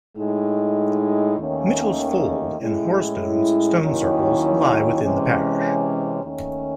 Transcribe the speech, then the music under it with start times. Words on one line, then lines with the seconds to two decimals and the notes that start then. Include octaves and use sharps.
Mitchell's Fold and Hoarstones stone circles lie within the parish.
0.16 A2 G#3 D#4
1.38 D#2 D#3 A3 C#4
2.59 A2 G#3 C#4 E4
3.80 D#2 D#3 F#3 C#4 E4
5.01 C3 E3 G#3 C#4
6.22 D#2 D#3 A3 C#4